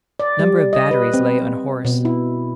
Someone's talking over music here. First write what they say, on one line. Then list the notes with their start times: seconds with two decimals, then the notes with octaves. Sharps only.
A number of batteries lay unhorsed.
0.20 D5
0.39 G3
0.73 D#5
0.91 B4
1.14 C4
1.85 B2
2.05 E4